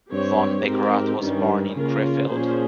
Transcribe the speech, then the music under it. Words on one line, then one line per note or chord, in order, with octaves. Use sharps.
Von Beckerath was born in Krefeld.
G2 C4 G4 C#5
G#2 C4 G4 A#4
G2 D#3 G3 C#4
C#3 A#3 C#4 F4 A#4
A#2 F3 A#3 C#4 G#4 C5